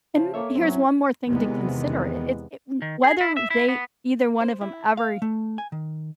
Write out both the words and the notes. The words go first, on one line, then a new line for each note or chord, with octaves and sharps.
And, here's one more thing to consider. I it's it whether they either one of 'em ever
C#3 F3
A#3 A4 C#5 E5
G#2 E3 F#3 C4
C#4
E2 C3 D#3 E3 G#3 B3
D#3
G#4
E4
E5
E4
B3
C5
E4
F5
A3
G#5
D#3